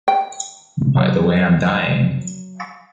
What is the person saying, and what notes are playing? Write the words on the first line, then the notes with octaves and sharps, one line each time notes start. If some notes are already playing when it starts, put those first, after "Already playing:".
By the way I’m dying.
G5
F#3